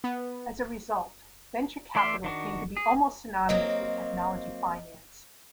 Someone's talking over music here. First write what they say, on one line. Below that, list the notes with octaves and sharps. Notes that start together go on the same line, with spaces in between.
As a result, venture capital came to be almost synonymous with technology finance.
B3
E3 A3 D5 E5 C6
D#3 D4 F#4
G#4
F#3 A#3 C4 D#5